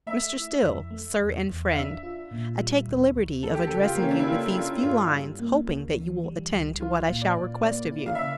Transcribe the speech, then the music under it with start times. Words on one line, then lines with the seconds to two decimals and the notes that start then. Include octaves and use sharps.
Mr. Still:--Sir and Friend--I take the liberty of addressing you with these few lines hoping that you will attend to what I shall request of you.
0.07 A3 E5
0.35 E4
0.62 F2
0.91 A3
1.19 E2
1.46 E2
1.71 F5
1.75 D4 E5
2.03 F4
2.31 A#2
2.59 G3
2.88 D2
3.15 D2
3.43 A3 A4
3.55 G4
3.67 C#3 A4
3.81 F4
3.86 G4
3.95 A#3
4.00 C#3 C#4
4.11 D4
4.19 E4
4.27 A#3 F4
4.55 E4 F4
4.83 G2 F4
5.11 G3
5.40 A#3
5.68 D2
5.95 E3
6.24 G3
6.52 C#2
6.80 E4 F4
7.08 A#2
7.21 D5
7.36 A#2
7.64 A#3 D5
7.92 E4
8.06 F5
8.15 E5
8.21 C#3